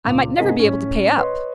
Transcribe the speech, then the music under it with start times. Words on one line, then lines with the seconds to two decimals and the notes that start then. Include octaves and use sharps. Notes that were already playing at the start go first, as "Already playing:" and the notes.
"I might never be able to pay up!"
0.05 C#2 A#2 D6 F7
0.37 G#2 C3 G#4 A#4 D#5 B6
0.59 A2 C#4
1.18 B4 C#5 D#5 C6